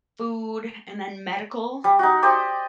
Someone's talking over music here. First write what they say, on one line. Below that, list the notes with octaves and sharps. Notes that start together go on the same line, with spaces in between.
food, and then medical,
G3
D#4 F#4
G4 C5 D5 D#5